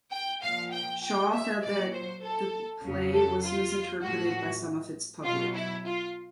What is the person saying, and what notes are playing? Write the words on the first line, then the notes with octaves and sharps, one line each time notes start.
Shaw felt that the play was misinterpreted by some of its public.
G5
A#2 F3 F5
G5
G5
E5
A#2 F#3 D5
C5
A4
F2 C#3 F#3
A4
F4
A2 F3 F#4
B2 F#3 F4
E4
F4